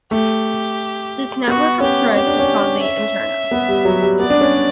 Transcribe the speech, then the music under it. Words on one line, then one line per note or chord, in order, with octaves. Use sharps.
This network of threads is called the interna.
A3 G4
B3 F#4
C#4 G4
C#4 G4
D4
C#4
E5
B3
G3
F#3
G3
B3 D5
D4
C#4